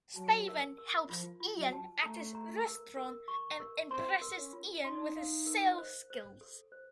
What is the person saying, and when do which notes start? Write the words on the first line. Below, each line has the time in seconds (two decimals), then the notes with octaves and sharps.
Steven helps Ian at his restaurant and impresses Ian with his sales skills.
0.16 F#3 A5
0.48 A#4
0.78 A#4
1.09 F3 F4
1.40 F4
1.56 F#3
1.73 A5
2.03 A3 A#5
2.35 A#5
2.66 A#4
2.97 A#4
3.28 C#6
3.60 A#4
3.91 C4 C6
4.22 A#4
4.38 C#4
4.53 F4
4.84 D#4 C6
5.16 F5
5.47 A#4
5.78 C5
6.10 C5
6.41 A4
6.72 C5